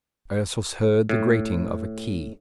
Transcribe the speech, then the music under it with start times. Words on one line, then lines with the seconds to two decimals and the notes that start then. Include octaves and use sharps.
Ursus heard the grating of a key.
1.09 A2